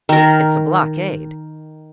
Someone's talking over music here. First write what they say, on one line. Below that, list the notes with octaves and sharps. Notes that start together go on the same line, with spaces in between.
"It's a blockade."
D#3 A#4